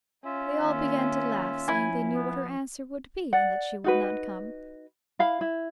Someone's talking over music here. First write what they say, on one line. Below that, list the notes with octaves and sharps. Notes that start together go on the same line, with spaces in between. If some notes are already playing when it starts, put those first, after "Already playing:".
They all began to laugh, saying they knew what her answer would be, and that she would not come.
C#4 F4 E5
D#3 A#3
F3 E4 G#5
B3
D5 F#5
D#4 F#4 B4
E4 F5 B5
E4